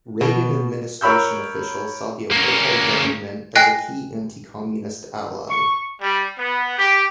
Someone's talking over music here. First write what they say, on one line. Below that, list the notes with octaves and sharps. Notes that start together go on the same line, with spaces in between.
Reagan administration officials saw the apartheid government as a key anti-communist ally.
B2
A#4 C#5 B5 E6 G6
A#3 C#4
D#5 G5 G#5 F#6 A#6 C7
C#6
G3
B3
G4